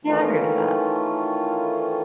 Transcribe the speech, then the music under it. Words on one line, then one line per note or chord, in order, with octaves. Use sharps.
Yeah. I agree with that.
D#3 E3 A3 C#4 F4